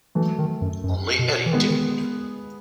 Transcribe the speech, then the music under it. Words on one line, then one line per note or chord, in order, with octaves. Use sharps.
Only Eddie dared.
E3 F#3 A3
D#3
F#2
F#2
B2
E3
D#3 G#3 B3
D#3